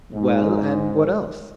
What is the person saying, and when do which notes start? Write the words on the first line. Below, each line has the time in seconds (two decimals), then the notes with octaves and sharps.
"Well--and what else?"
0.13 G#2